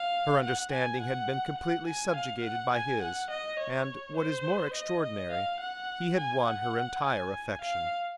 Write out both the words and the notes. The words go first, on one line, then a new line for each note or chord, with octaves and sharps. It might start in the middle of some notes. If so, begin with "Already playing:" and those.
Her understanding had been completely subjugated by his; and, what is more extraordinary, he had won her entire affection.
Already playing: F5
F#5
G#5
F#5
F#5
G#5
F5
F#5
G#5
F#5
D#5
C#5
C5
D#5
D#5
F5
F#5
G#5
F#5
G#5
F5